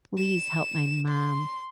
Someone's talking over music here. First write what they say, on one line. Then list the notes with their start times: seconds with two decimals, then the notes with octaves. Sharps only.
"Please help my mom,
0.18 E7
1.09 C6